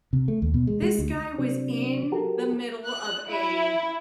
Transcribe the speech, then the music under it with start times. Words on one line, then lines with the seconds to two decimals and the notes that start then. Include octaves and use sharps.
This guy was in the middle of a
0.13 C3
0.28 A3
0.42 D#2
0.54 B2
0.67 G#3
0.82 G#3
0.99 D2
1.38 C3 F#3 C4 D4
2.12 F#3 F#4 G4 A4 A#4
2.86 F#6
3.29 E4